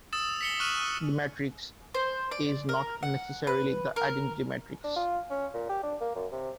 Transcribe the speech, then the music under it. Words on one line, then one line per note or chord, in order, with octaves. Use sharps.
The matrix is "not" necessarily the identity matrix.
D#6 E6 A6 E7
B6 C#7 G7
C#6 F6 F#6 D#7 E7 F#7
C5
D5
A#4
F#5
B4
A#4
D4
F4
C#4
A#2
G4
D4
A#3
F#2
C3